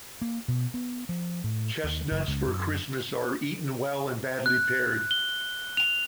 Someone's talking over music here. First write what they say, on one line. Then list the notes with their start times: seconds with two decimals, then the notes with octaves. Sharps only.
Chestnuts for Christmas are eaten well and badly paired.
0.22 A#3
0.48 B2
0.74 B3
1.09 F3
1.44 A2
1.84 D#2
2.11 F#1
2.28 C#2
2.46 F#2
4.46 F#6
5.11 G7
5.77 F7